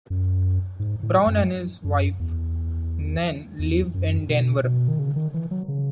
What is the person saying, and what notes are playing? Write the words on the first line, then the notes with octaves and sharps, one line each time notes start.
Brown and his wife, Nan, live in Denver.
F#2
G#2
A2
F#2
F#2
E2
E2
F#2
B2
B2
D#3
C#3
D#3
E3
F#3
C#3